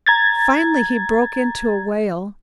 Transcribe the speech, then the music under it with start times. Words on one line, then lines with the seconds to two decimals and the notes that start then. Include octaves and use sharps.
Finally he broke into a wail.
0.07 A#5 G#6 A6